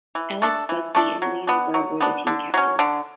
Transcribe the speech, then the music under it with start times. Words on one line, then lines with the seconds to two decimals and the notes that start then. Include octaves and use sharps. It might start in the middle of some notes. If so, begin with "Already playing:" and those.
Alex Buzbee and Liam Grubb were the team captains.
0.15 E3
0.42 A3 D4 A4
0.69 E3
0.95 A3 D4 A4
1.22 F#3
1.47 B3 D4
1.74 F#3
2.01 B3 D4
2.27 D3
2.54 F#3 C#4
2.79 D3